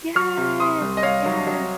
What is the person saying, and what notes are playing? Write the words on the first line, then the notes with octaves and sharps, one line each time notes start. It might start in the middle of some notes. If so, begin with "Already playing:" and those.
Yes. Yes.
F#3 C#6 F6
C3
C3 C6 D#6
C2
D#5
C2 C#5 F5
F#3
F#3